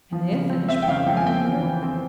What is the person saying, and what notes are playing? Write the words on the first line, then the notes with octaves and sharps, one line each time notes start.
"Can they have finished ploughing?" he wondered.
F3
C#3
C4
C4 E5
G5
C#3 F5
F3 G5
G#5
C4 G5
E3
E3
C4